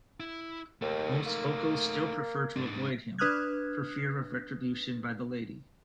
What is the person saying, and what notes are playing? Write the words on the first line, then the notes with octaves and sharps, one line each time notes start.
Most locals still prefer to avoid him, for fear of retribution by the Lady.
E4
D#2 A3 D#4
A#3
G#2 D4
D4 B4 D#6 F6 F#6 G#6